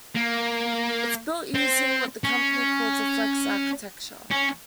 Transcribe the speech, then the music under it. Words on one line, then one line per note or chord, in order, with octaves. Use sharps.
It's built using what the company calls a "Flex architecture".
A#3
C4
C#4
C#4